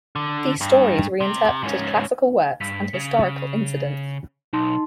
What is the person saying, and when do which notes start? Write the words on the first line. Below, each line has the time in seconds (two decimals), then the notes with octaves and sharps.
These stories reinterpreted classical works and historical incidents.
0.16 D3
0.61 G2
1.21 C3
1.63 G#2 C#4
2.61 G2 B6
2.94 C#3
4.53 B1 D#4 A5 C6